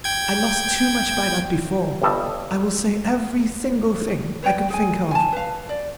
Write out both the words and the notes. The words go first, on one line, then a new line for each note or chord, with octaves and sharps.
I lost too much by that before. I will say every single thing I can think of.
G5 G#6
G1 G2 G3 A4 D#5 E5
B4 C#5 D5 G5
G#4 G#5
G#5 A5
B4 F5
D5